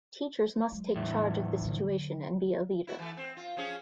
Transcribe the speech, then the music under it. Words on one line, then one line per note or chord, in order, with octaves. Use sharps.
Teachers must take charge of the situation and be a leader.
F#3 G#3
E2 A2
D3 F#3
E4 F#4
E3 A3
C4
F4
F3 C#4 G#4